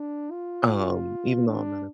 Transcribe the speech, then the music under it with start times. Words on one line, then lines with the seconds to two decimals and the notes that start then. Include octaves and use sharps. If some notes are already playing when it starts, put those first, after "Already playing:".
um, even though I'm not a
Already playing: D4
0.32 F4
1.47 D4